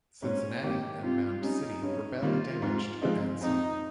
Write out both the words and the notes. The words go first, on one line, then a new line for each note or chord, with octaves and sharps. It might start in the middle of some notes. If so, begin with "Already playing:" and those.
"Cincinnati" and "Mound City" were badly damaged and sunk.
G#2 C#4
D#3 A#3 D#4 G4
C3 F4
G3 C#4 D#4
G2 C#4
D#3 G3 A#3 F4
G#2
F3 G#3 C4 D#4
F2 D#4